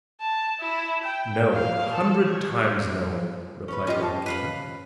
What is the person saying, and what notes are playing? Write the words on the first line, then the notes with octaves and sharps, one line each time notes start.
"No! a hundred times, no!" replied Barbicane.
A5
E4
G5
F5
A4
C#5
C#4 B4
C#4 F4 G4 D#5
A5
B4 F5 B5